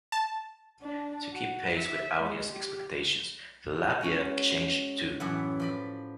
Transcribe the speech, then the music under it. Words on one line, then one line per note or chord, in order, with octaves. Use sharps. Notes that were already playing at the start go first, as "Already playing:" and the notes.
To keep pace with audience expectations, the Lafayette changed, too.
A5
D4
F#4
E5
G#3
G4
G#3 C#4 F#4
F#2 A2 E3 B3 F#5
F3 D5 B5